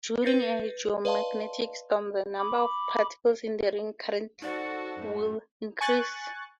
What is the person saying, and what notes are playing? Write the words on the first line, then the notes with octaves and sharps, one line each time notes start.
During a geomagnetic storm, the number of particles in the ring current will increase.
B4 G6 A6 A#6 C7 C#7
B4 D5 D#5 F5 A5 C6
B5 D6
D#4 F#4 A4 C5 D5 A5 A6
F#2 A2 A3
G#5 C#6 F#6 A6